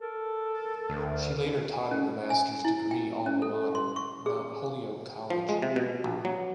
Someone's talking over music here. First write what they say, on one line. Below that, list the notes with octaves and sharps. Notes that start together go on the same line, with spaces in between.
She later taught at her Master's degree alma mater, Mount Holyoke College.
A4 A#4
D2
C#4
G#5
E4
G5
C#4
A4
C6
C#6
G#4
F3
G#3
C3
B2
A#1
F#3